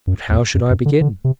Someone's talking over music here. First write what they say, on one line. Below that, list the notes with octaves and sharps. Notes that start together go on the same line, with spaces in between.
But how should I begin?
F#2
E2
F#2
F#2
D3
D3
C3